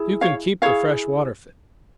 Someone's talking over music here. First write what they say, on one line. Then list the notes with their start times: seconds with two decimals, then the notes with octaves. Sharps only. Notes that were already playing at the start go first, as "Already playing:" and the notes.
"You can keep the freshwater fish!"
Already playing: E4 G#4
0.21 C#5 F5
0.62 E4 G#4 C#5 F5